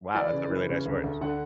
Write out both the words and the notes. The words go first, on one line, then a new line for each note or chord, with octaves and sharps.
"Wow, that's a really nice horse."
E3 D5
C#3
E3
C#3
D2
D2
D3 F#5